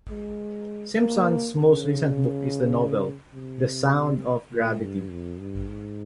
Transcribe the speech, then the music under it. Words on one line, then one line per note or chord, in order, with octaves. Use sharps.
Simpson's most recent book is the novel "The Sound of Gravity".
G#3
A#3
C#3
C3
A#2
G2
F2
G2
G#2